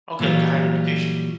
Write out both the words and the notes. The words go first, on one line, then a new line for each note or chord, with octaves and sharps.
Okay, like, a high reputation?
A#2 E3 F#3 G3 F4